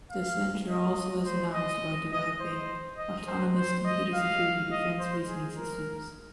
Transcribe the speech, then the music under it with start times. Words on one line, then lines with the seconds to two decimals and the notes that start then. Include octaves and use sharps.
The centre also has announced about developing ""autonomous computer security defense reasoning systems"".
0.11 F5
0.68 D#5
1.25 C5
1.53 D#5
2.12 D#5
2.40 C5
2.98 D#5
3.27 C5
3.56 C5
3.85 D#5
4.14 F5
4.71 D#5
4.99 C5
5.28 G#4
5.57 A#4